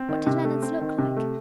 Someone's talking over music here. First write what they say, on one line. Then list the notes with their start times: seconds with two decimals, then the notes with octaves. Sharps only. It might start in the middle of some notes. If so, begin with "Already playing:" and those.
What did Leonards look like?'
Already playing: C4
0.09 D#3
0.27 C3
0.45 A3
0.62 C4
0.81 D#3
0.99 C3
1.16 A3